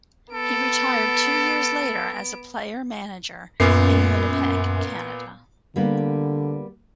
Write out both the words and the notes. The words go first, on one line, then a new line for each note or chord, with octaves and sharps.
He retired two years later as a player-manager in Winnipeg, Canada.
B3 A4 D7
F#2 A#2 B3 C7
D3 G3 A#3 B3